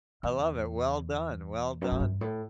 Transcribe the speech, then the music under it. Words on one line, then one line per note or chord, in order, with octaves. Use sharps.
I love it. Well done, well done.
E2
F#2
A2
G2
A2